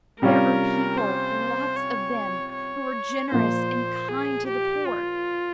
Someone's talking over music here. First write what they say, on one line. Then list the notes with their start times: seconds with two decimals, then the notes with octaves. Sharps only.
There are people, lots of them, who are generous and kind to the poor.
0.21 C3 G3 C#4 F4 A#4
0.99 C5
1.76 C#5
2.53 C#5
3.31 A#2 F3 A#3 C5
4.09 G#4
4.48 G4
4.87 F4